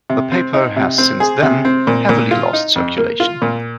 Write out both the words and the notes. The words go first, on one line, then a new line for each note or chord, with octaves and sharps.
The paper has since then heavily lost circulation.
C3
C4
D#4
C3
C4
G#4
C3
C4
A#2
A#2
F4
D#4
F2
A#3
F4
A#2